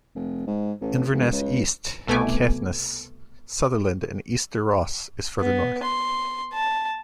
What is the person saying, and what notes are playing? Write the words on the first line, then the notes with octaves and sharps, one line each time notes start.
Inverness East, Caithness, Sutherland and Easter Ross is further north.
F1
G#2
A1
E1
C#2
C2 B2 A3 B3 G#5 D6
B3
C6
A5